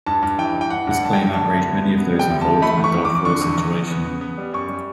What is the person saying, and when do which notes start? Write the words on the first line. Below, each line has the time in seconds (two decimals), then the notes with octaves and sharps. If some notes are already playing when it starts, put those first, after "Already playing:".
This claim outraged many of those involved in the Darfur situation.
0.06 G2 A5
0.23 G2
0.38 E3 G5
0.54 E3
0.61 G5
0.70 G2 F#5
0.87 G2 F#5
1.03 G3 A5
1.13 G5
1.18 G3
1.34 G3 A5
1.51 D2
1.66 B3
1.83 C#3
1.98 B3
2.14 G3
2.19 G5
2.30 D2
2.41 C#3 A5
2.62 A3 B5
2.78 E2
2.84 C#6
2.94 E2
3.05 D6
3.10 E2
3.15 D6
3.25 D3 C#6
3.42 E2
3.58 E2
3.74 E2
3.90 B3
4.06 C#3
4.21 B3
4.38 G3
4.53 F#2 C#6
4.69 G3